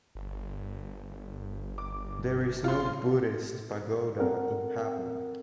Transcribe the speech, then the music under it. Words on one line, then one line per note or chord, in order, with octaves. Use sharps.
There is no Buddhist pagoda in Pabna.
G1
D6
F4 C6
C4 A4 A#4 F#5